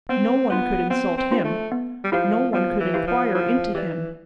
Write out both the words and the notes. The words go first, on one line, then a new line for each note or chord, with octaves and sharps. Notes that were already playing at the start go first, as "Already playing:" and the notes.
No one could insult him; no one could inquire into him.
B3 C4
B3 D4 F4 C5
B3 C4
C4
D4 F4 C5
A3
B3
G3
F3 E4 G4 C5 F5
F3 B3
E3
E4 G4 C5 F5
F3
F3 E4
E3 G4 D5